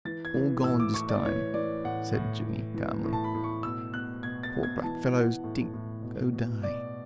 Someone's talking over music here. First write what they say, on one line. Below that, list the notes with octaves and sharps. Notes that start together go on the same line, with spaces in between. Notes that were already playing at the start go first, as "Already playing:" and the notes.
All gone dis time," said Jimmy calmly. "Poor black fellows tink go die.
E3 A6
G#6
E3
A2 E6
D6
A2 C#6
D5
E3 C#5
E3 D5
A2 F#5
A2
E3
E3
A2
A5
B5
A2
C#6
B2 E6
B2 F#6
B2 G#6
A6
B2
G#6
E3 A5
E3 F#5
A2
A2
B2
B2
B2 D5